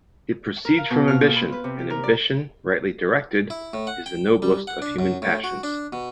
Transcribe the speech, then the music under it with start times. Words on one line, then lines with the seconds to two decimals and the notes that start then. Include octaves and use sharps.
It proceeds from ambition; and ambition, rightly directed, is the noblest of human passions.
0.65 A#4
0.78 F5
0.91 B2
1.08 F6
1.21 A#2
1.36 B5
1.52 B4
1.64 C3
1.79 G4
1.90 A#4
2.03 D5
3.50 E4
3.74 A2
3.87 F#5
4.06 G5
4.42 G3
4.67 F#5
4.82 D4
4.99 F#2
5.22 A2
5.44 F#4
5.63 D4
5.93 B2